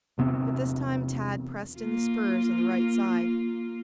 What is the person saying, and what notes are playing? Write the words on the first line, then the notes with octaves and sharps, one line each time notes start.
But this time Tad pressed in the spurs on the right side.
E2 C3 B3 C4
A#3 F4